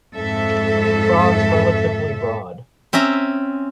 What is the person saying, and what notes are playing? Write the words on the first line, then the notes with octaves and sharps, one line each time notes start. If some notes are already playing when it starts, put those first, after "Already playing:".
Frons relatively broad.
F2 G#2 A4 E5
C4 C#4 E5 A#5